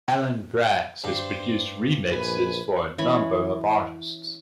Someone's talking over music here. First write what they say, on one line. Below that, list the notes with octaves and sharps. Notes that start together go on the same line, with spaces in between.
Alan Braxe has produced remixes for a number of artists.
G2 C5
A#1 B4 G#5
E3 C#4 G#5 B5